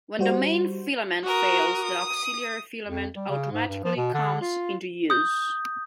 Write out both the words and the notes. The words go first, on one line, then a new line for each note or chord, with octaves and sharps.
When the main filament fails, the auxiliary filament automatically comes into use.
G3 F#4 C5
F#4 A#4 D#6
D#6
F2
G3
C#3
G#2
G2
F3
B2
D3
F4
D#6 G6